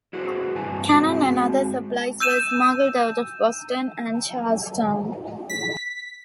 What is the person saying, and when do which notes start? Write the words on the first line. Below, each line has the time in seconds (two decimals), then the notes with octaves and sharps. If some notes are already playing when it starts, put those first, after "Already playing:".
Cannon and other supplies were smuggled out of Boston and Charlestown.
0.13 E4 F#4 G#4 B4 C5
0.55 G2 C3 E3 G#5 A5
0.89 G#3 C4 F#4 G#4
2.20 E6 G6 D#7 E7
5.50 B6